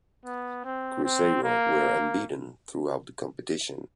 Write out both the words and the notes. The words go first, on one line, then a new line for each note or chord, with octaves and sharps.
Cruzeiro were unbeaten throughout the competition.
B3
C4
C4
A#3